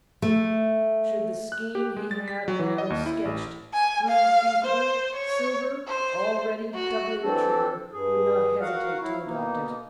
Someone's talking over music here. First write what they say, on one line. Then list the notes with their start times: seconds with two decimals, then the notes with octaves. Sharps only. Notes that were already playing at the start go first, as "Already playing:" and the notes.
Should the scheme he had now sketched prove feasible, Silver, already doubly a traitor, would not hesitate to adopt it.
0.22 A3
1.52 F#6
1.75 G4
1.96 G#3
2.11 A6
2.28 B6
2.48 F#3
2.59 E3
2.78 D#5
2.90 D#2
3.06 E4
3.25 A1
3.74 G#5
4.08 F5
4.65 C5
5.15 C#5
5.88 C5
6.74 F#4
7.23 E3 C4 D4 A4
7.92 G2 G#4
8.60 F#4 A#4 F5 F#5
9.01 F#3 E4 F5
9.26 B2 A#3 D#4